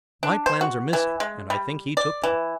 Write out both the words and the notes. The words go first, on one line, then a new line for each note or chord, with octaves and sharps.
My plans are missing, and I think he took them.
D4
C5
F#4
E3
G#3
G3
D5
E3